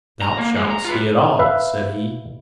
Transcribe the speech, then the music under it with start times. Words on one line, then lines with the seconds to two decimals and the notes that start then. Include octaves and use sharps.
"Thou shalt see it all," said he.
0.22 A#5
0.39 A#3
0.56 G#3
0.70 A#5
0.85 F4 B4
1.39 B4 E5 F5